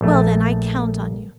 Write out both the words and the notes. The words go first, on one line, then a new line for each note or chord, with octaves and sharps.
"Well, then, I count on you."
A#1 A3